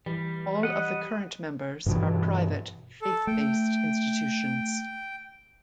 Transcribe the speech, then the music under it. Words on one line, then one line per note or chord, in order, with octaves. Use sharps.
All of the current members are private, faith-based institutions.
E3 G3
D#5 F#5
G2 B2 E3
A4
A3 G5